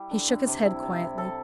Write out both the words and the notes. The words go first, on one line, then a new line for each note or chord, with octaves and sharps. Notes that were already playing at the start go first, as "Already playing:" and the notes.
He shook his head quietly.
Already playing: G3 E4
D3
D3
C3
E4
C3
E4
A4